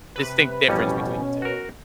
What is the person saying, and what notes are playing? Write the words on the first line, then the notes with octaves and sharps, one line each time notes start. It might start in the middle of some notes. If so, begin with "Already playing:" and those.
distinct difference between the two.
C3 B4
A1 F2 B2 G3 C#4
F#4 A#4